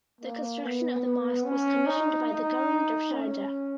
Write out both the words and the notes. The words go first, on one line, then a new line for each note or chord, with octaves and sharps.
The construction of the mosque was commissioned by The Government of Sharjah.
A#3
B3
C#4
D#4
D#4
C#4